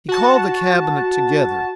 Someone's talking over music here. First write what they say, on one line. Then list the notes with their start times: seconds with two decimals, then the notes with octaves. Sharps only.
He called the Cabinet together.
0.08 F#4 A5